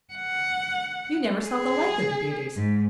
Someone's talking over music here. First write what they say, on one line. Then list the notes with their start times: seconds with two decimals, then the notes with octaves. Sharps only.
You never saw the like of the beauties!
0.14 F#5
1.46 G#4
2.57 G#2